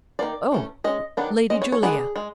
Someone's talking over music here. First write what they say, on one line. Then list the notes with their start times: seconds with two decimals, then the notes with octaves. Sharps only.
"Oh, Lady Julia!"
0.19 D#3 F#3 A#3 D5
0.52 E3 A3 C#4
0.84 G#3 C#4 D#5
1.17 D#3 F#3 B3 D4
1.50 G#3 C#4 D#5
1.62 C#5
1.72 C#5
1.83 G#3 B3 D4 G#4
2.16 G#3